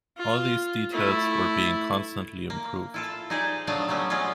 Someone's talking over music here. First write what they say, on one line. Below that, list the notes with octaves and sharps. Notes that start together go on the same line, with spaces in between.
All these details were being constantly improved.
F4
A3 E4
A#3
E4 F4 A4
D#4 G4 G#4 C5 D5
F#3 A3 B3 D4 D#5 F5
F#3 G3 A3 B3 C#4
F#3 G#3 B3 C#4 F4